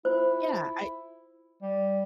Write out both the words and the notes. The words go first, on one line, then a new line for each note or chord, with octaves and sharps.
Yeah, I
E4 F4 C5
G3